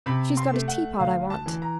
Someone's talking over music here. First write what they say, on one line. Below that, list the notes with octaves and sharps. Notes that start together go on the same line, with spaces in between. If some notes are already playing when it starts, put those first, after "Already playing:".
She's got a teapot I want.
C3 B5
C6
A3
F#5
D2 F5
A5
E3
A#5